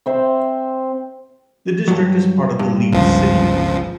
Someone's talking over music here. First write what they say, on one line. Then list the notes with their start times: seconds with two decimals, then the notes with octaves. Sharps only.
The district is part of the Leeds City Region.
0.06 C4 C5 E5
1.88 G2 F#3
2.59 G2
2.91 G1 C#2 F3